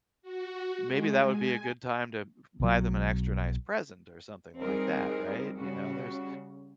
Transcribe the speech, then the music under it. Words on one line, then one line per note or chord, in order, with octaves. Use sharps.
maybe that would be a good time to b buy them an extra nice present or something like that, right? You know? There's
F#4
G#3
G#5
B1 B2 F3 F#3
G3 C4 D#4 G#4 A#4
C#3 G3 F#4